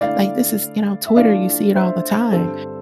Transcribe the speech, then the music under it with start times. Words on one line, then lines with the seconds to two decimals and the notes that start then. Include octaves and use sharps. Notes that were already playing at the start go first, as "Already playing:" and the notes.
Like, this is, you know, on Twitter, you see it all the time.
0.01 D3 A3 E4 D5 F5
1.07 E5
1.17 E3 A3 D4 F4 D5 F5
1.75 C5 E5
2.33 G2 D3 G3 C4 A4 C5